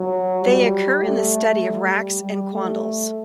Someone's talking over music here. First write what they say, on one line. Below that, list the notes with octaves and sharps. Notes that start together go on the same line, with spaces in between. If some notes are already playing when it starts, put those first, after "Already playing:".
They occur in the study of racks and quandles.
Already playing: F#3
G3
A3
G3
G3
A3